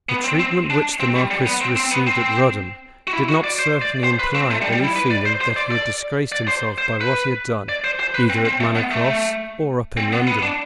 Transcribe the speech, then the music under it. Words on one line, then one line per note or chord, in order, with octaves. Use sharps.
The treatment which the Marquis received at Rudham did not certainly imply any feeling that he had disgraced himself by what he had done either at Manor Cross or up in London.
B3
C4
C4
D4
C4
G3
G3
B3
C4
C4
B3
C4
F#4
E4
F#4
D5
C5
D5
C5
B4
C4
A3
G3
G3
E4
B4
D5
C5
C5
D5
D5
D5
C5
C5
B4
D5
C5
C5
B4
C4
C4
A3
B3
A3
C4
B3
B3
D4